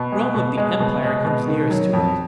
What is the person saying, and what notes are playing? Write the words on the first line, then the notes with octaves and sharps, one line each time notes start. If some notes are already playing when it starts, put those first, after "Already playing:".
"Rome of the Empire comes nearest to it...."
Already playing: B2
G#3
B2
G#3
B2
G#3
B2
D#3
F#3
F2